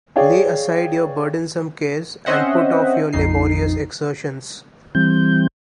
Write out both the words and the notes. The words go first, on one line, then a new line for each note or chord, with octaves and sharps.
Lay aside your burdensome cares and put off your laborious exertions.
G#4 C#5 D5 F5 G5
C4 C#4 C5 D#5 E5 F#5
A#1 F2 D#4 C7
E3 G3 C4 G6